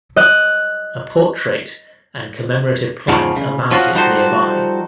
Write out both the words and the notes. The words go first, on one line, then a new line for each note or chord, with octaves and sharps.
A portrait and commemorative plaque are mounted nearby.
D#5 F#6
E2 G#2 C#3 F3
C#3
F3 C#4 F4 F#4
F3 G3 D#4 F#4 A4 C5